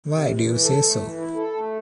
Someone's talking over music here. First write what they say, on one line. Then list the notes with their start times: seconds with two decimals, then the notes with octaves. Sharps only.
Why do you say so?
0.09 C3
0.27 E2
0.45 E3
0.63 A4
0.81 A3
0.99 E3
1.17 E4
1.35 A4
1.53 A3